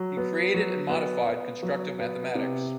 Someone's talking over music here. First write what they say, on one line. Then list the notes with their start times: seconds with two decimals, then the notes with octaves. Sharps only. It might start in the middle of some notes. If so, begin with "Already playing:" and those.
He created and modified constructive mathematics.
Already playing: F#3
0.17 B3
0.54 F#3
0.90 B3
1.27 B3
1.63 F#3
1.99 B3
2.35 C3